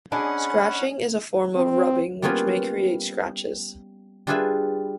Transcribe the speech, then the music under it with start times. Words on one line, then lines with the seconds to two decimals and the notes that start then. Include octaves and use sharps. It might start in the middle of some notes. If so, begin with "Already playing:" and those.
Scratching is a form of rubbing which may create scratches.
0.12 C#4 D4 G#4 D#5 F#5 G#5 B5
1.56 C4
2.22 G3 A#3 B3 C#4 F4
4.27 G3 D4 F4 G#4 B4 E5